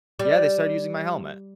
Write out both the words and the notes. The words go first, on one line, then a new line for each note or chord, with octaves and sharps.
yeah, they started using my helmet.
G3